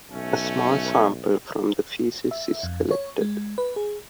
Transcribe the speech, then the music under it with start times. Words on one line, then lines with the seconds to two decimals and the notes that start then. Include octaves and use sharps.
A small sample from the feces is collected.
0.10 B1 A3 C#4
2.31 E5
2.63 F2
2.91 C#5
3.21 G#3
3.58 B4
3.76 G#4